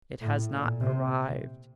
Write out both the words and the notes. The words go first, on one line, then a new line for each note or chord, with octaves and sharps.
It has not arrived.
A2
A#2
C3